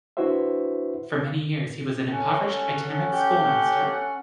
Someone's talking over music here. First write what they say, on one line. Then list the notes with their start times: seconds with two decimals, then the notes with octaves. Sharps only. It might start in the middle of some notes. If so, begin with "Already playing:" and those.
For many years he was an impoverished, itinerant schoolmaster.
0.17 D4 E4 F#4 B4 C5 E5
2.11 C#4 A4 F#5
3.12 G4 G6